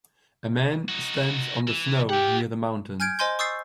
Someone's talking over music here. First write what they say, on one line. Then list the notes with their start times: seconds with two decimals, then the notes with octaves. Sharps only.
A man stands on the snow near the mountains.
0.89 D#4 F#4
1.68 E3
2.10 E4 G4 F#5
3.00 G#5 F6 G6 G#6 D7
3.19 C5 D#5 G#5 C6 G6
3.39 C#6 D#6 E6 G6 A6 C7